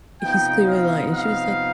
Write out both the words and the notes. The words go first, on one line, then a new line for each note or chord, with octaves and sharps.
he's clearly lying. And she was like,
C3 F3 B3 D#4 G5
F5
F5